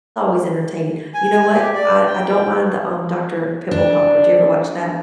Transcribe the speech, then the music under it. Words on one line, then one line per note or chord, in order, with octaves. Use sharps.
always entertaining. You know what? I I don't mind the, um, Dr. Pimple Popper, do you ever watch that?
G#5
G4
D5
G5
D4